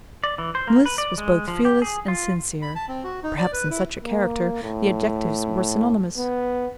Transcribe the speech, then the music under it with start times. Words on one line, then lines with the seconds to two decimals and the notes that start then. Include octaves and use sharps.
Mliss was both fearless and sincere; perhaps in such a character the adjectives were synonymous.
0.24 D5
0.38 E3
0.55 C5
0.67 A#3
0.86 B4
0.98 D5
1.18 G#3
1.48 F3
1.65 G4
1.82 G#4
2.08 F4
2.62 B5
2.76 A5
2.88 C4
3.04 F#4
3.23 D#4
3.38 D5
3.53 B4
3.70 E4
4.04 A#3
4.63 A2
6.17 B3